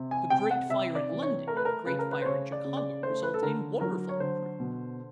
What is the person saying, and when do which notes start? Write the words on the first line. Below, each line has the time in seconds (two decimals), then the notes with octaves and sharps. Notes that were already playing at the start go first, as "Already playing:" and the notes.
The great fire in London and the great fire in Chicago resulted in wonderful improvement.
Already playing: C3
0.11 G#5
0.30 C3 G5
0.51 F#5
0.69 C3 E5
0.95 D5
1.09 E3
1.22 C#5
1.47 A3 A#4
1.57 B4
1.65 A#4
1.86 C#3 B4
1.99 A#4
2.11 B4
2.22 C5
2.26 C#3 C#5
2.52 D5
2.65 C#3
2.77 D5
3.03 A3 C5
3.23 B4
3.34 A4
3.42 D3 A#4
3.81 F#3 A#4
4.09 C#5
4.20 D3 C5
4.60 B2